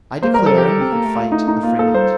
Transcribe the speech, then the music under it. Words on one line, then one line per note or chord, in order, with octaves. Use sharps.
I declare we could fight a frigate.
A#3 C5
A#4
G3
A4
F3 G4
G3
C4
A#3
A3
F4
D#4
D#4
A#3 F4
A#3 A4
G3 C5